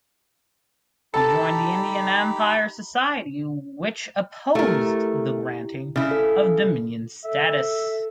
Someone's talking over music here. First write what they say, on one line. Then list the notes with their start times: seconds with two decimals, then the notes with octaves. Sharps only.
He joined the Indian Empire Society which opposed the granting of Dominion status.
1.14 D#4 G4 A4 A5 B5
4.55 A3 E4 G4 A#4
5.96 C#3 E4
6.11 A4
7.24 A4 E5